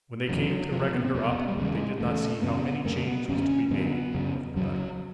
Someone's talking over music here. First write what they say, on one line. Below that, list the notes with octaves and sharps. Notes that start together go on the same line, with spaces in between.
When they came to reckon her up they did not see how any change was to be made for the better.
E2 C#3 F#3
F2 C3 F3
F3
B3
C4
F2 C3 B3
G3
E2 C#3 G#3
E2 C#3 A3
F#2 C#3 B3
F#2 C#3 A#3
B3
F#2 D3 C#4
F#2 D3 B3
F#2 C#3
F#2 C#3 F#3